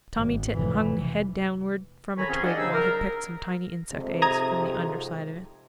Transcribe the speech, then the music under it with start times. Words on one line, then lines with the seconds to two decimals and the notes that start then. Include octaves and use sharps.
Tommy Tit hung head downward from a twig while he picked some tiny insect eggs from the under side of it.
0.16 G#1
0.53 F1 E3
2.17 A2 D#3 G#5 A#5 B5 C#6
2.29 F3 C4 C#4 G#4
2.43 A#3 D4 G4 D5 D#5 F#5
2.58 G#2 C#3 F#3 G4 G#4 E6
2.74 A#4
3.92 F2 G#2 C3
4.22 A#5 D#6 G#6